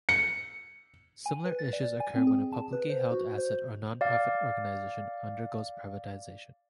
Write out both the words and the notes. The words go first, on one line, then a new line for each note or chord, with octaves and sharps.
Similar issues occur when a publicly held asset or non-profit organization undergoes privatization.
C#7
G#5
B4
A6
D5
G#5
C4
G#4
A5
B4
C5
F#4
C5
D5 F5